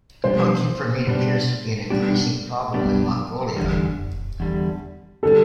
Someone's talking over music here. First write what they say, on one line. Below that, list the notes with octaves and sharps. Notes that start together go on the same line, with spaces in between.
Poaching for meat appears to be an increasing problem in Mongolia.
B2 G3 B3 D4 G4 C5
B2 G3 B3 D4 G4
B2 G3 B3 D4 G4
B2 G3 B3 D4 G4
E2 D3 G3
E2 D3 G3
D3 G3 A4